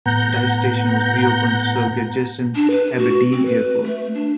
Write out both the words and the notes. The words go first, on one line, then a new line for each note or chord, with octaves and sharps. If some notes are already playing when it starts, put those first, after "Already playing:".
Dyce station was reopened to serve the adjacent Aberdeen Airport.
A2 B3 F#5 A#5 G6
D4
B4
F#4
C4
B4
A3
D4